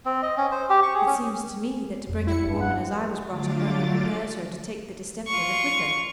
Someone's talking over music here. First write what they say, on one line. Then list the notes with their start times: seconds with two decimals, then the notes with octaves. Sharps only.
"It seems to me that to bring up a woman as I was brought up only prepares her to take the distemper the quicker."
0.05 C4
0.22 D#5
0.37 C#4
0.51 C5
0.70 G4
0.83 C#6
0.94 G#4
1.07 C#4
2.07 F2 A3
2.27 E4 C#7
2.44 G2 A#3 C#4
2.60 F#5
3.29 D3 F#3 A3 F4 D6 A6
5.28 F4 C#6